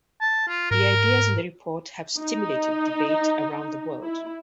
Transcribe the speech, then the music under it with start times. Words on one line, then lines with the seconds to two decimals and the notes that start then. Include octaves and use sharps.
The ideas in the report have stimulated debate around the world.
0.21 A5
0.48 F4
0.71 G#2 A#4
2.19 D#4
4.02 E4